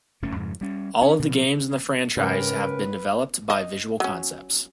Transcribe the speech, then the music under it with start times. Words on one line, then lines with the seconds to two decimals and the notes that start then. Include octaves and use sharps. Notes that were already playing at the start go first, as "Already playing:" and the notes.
All of the games in the franchise have been developed by Visual Concepts.
0.22 F1 G2 A3 C#4
0.35 F2 G#2 C#3
0.61 G3 C#4
1.02 C#4
1.19 B2 F3
2.17 G#2 C#3 C#4 G4 A#4 B4
3.50 D#5
4.00 F#3 C#4